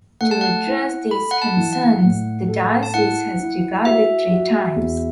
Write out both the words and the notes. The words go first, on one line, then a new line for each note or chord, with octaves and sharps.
To address these concerns, the diocese has divided three times.
A3 F#5
A5
F#5
E4
A4 B5
F#5
A5
E3
F#5
A2
A4
A5
E4 F#5
E4
F#4 E5
F#4
E2